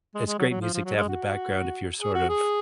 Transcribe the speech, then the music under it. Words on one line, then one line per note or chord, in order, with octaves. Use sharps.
it's great music to have in the background if you're sort of
G#3
G#3
F#3
F#3
F3
F3
F#3
G#3
F#4
G#4
F#4
G#4